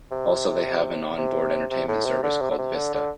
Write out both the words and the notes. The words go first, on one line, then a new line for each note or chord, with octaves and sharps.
Also they have an on board entertainment service called Vista.
C3
C3
C3
A2
C3
D3
C3
D3
C3
D3
D3